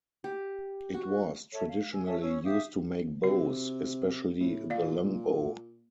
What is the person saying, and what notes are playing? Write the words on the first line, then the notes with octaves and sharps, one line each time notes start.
It was traditionally used to make bows, especially the longbow.
G4
F#4
A4 C#5 E5
F5
G#5 E6
A4 C#5 E5 G#5
C#4 C#5 E6
G4 E5 F5 D#6
C3 F#4
A2
A#2 D5 F5